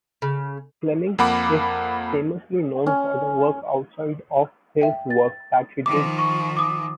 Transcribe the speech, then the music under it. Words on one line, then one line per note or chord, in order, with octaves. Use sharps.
Flemming is famously known for the work outside of his work that he did.
C#3
F2 A#3 F#5 B5 D6
C#4
E5 G5
A6
D#3 F3 D6
C#6
D6 D#6